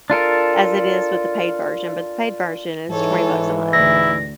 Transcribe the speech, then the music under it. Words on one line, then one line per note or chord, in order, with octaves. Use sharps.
as it is with the paid version, but the paid version is twenty bucks a month,
D4 F4 A4 A#4
G#2 E3 A4 C#5
D2 E4 D5 A#6